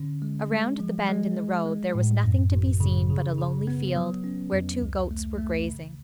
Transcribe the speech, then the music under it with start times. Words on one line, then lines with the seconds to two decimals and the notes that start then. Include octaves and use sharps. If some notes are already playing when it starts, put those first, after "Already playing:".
Around the bend in the road there was nothing to be seen but a lonely field where two goats were grazing.
Already playing: D3 C#4
0.22 G#3
0.51 G#3
0.80 F3
1.09 G#3
1.37 G#3
1.66 G#3
1.95 A2
2.24 F#2
2.52 G#1
2.80 C#3
3.10 C#3
3.38 C#3
3.67 B3
3.96 F#3
4.24 C#4
4.52 F2
4.82 C#2
5.11 A3
5.38 A3
5.68 C#3